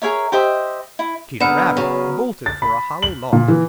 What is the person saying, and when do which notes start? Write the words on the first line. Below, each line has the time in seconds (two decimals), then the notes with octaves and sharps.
Peter Rabbit bolted for a hollow log.
0.02 G#4 A#4 C#5 E5
0.32 G4 C5 D#5 E5
0.99 E4
1.40 D3 B3 A#4 B4 F#5 E7
1.77 C#3 F#3
2.46 A6
2.62 B5
3.02 F#7
3.33 A#2
3.48 E3